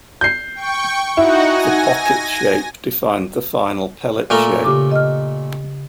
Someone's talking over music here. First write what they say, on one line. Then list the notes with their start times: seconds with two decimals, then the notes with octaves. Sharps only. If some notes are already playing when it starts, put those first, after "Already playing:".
The pocket shape defined the final pellet shape.
0.21 G6 C7
0.55 G5 C#6
1.17 D#4 E4 F#4 F#5
1.47 G#5 A#6
4.30 A#2 A3 A#4
4.64 C#3 G4 D6
4.92 D#5 F6